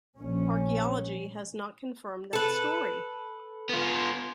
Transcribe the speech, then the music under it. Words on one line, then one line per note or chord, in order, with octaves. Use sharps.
Archaeology has not confirmed that story.
A#1 C#4
A4 B4
B3 F4